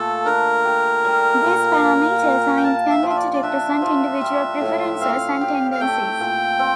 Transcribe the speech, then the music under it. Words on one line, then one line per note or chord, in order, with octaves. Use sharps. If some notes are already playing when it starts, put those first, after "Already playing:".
These parameters are intended to represent individual preferences and tendencies.
Already playing: A#2 A3 A4
D4 A#4
G4
G3
A#2
A#3
A#2
G5
A#3 A5
E5
F3
E5
D5
D5
D4 E5
F3
G3
A2
C4 F5
G4
F5
A3 G5
A#2
C4